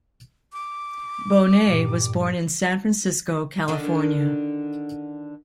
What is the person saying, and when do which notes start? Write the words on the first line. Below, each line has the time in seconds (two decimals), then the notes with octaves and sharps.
Bonet was born in San Francisco, California.
0.53 D6
1.66 G2 A#2 G3
3.68 D3 D#3 D4